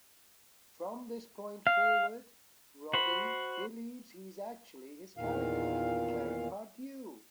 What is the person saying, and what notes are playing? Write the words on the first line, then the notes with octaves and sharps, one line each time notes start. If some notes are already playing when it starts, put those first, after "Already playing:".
From this point forward, Robbie believes he is actually his character, the cleric Pardieu.
F5
F#4 C5 B5
E2 A#2 D#3 F5